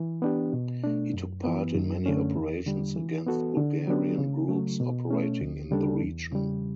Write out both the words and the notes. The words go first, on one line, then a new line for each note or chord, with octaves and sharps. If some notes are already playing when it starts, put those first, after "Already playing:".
He took part in many operations against Bulgarian groups operating in the region.
Already playing: E3
B3 D4 G4
B2
A3 D4
F#2
E3 B3
F#2
D3 A3 C#4
E2
D3 G3
E3
B3 F#4 A4
D3
F#3 B3 D4 G4
C#3
F#3 A3
B2
A3 C#4
D2
C#3 G3 D4 A4
E2
C#3 G3